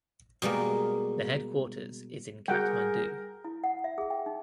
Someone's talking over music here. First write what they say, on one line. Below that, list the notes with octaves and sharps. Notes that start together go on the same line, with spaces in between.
The headquarters is in Kathmandu.
B2 G3 G#3 A#3
G3 F#4 G#4 A#4 F#5 G5 G6
E4
F#5
E5
G#4
G5
D#4